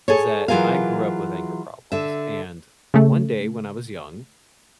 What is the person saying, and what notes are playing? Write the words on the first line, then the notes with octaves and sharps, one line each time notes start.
is that I grew up with anger problems and one day when I was young,
G#4 A4 C#5
E3 F#3 F4 G#4 A#4 F5
D3 E5
C#3 A3